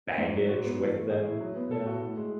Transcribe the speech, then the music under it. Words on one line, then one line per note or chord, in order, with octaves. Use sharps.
baggage with them, you know.
G#2
F#3
F#4
B3
E3
A3
G#4
E4
F#3
B3
A4
F#4
A2
G#3